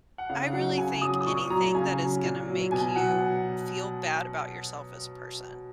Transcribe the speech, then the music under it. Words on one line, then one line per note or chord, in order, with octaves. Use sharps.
I really think anything that is gonna make you feel bad about yourself as a person.
F#5
C#3 F5
F#3 F#5
C#3 G#5
F#3 D#6
D#6
A#2 C#6
F#3 A#5
C#3 G#5
F#3
A#2
F#3
B2 G#5
F#3 F#5